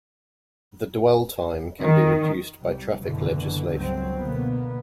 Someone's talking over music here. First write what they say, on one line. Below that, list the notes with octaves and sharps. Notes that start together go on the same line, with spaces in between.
The dwell time can be reduced by traffic legislation.
D#3
C2 G3
F#1 B2 D3 E3
G1 C#2 F#3 C4
B2 D3 A#3 B3